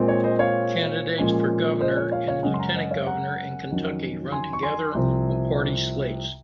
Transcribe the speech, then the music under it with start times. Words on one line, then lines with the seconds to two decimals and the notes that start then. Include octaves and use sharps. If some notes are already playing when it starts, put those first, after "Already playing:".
Candidates for governor and lieutenant governor in Kentucky run together on party slates.
Already playing: A#2 G#3 C4
0.08 C#5
0.24 C5 D#5
0.39 C#5 F5
1.18 A#2 F3 G#3 C#4
1.81 C5 D#5
1.97 C#5
2.12 C#5 F5
2.28 C#5 F5
2.43 F#2 C#3 G#3 C#4 D#5 F#5
2.54 C6
2.59 F#5 A#5
2.75 D#5 F#5
2.91 C#5 F5
3.06 F#5 A#5
3.69 F2 D#3 F#3 C#4
4.32 G#5 C6
4.53 C#6
4.63 G#5 C6
4.95 C2 C3 F3 C4